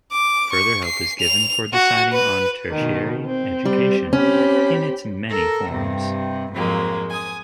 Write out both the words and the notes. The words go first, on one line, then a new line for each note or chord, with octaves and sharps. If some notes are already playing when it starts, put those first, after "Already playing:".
Further help is given for deciding on tertiary education in its many forms.
D6
C#6
C7
F7
F#4
B4
B2 D#3
C4
G3
C4 C#4 G4 B5
A4 A#4
G2 C3
F2 G#2 F3 F#3 G#3 A#3
G#5 D#6